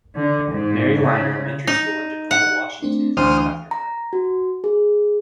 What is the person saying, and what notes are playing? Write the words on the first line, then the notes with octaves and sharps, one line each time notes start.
Mary Lyon Elementary School in Tacoma, Washington is named after her.
D3
G#2
C#3
D#4
F#5
A3 C4 D4
D2 E3 C5 D#6 F6
A#5
F#4
G#4